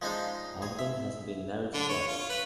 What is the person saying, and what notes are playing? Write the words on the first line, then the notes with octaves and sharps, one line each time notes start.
Ogden has been married twice.
F3 G#3 D4 D#4 C5
G#4
E5
D3
C#5
F4
B4